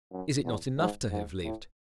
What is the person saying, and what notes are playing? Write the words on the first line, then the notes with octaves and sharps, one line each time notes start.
Is it not enough to have lived?
F#2
E2
G#2
G#2
A2